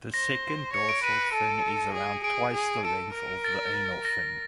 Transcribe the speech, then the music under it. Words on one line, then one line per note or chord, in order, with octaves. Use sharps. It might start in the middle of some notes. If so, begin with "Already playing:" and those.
The second dorsal fin is around twice the length of the anal fin.
C5 A#6
C#5 C#7
D7
B4 D#7
A4
G#4
G#4 D7
G#4
A4 D7
A#4
A6
A#6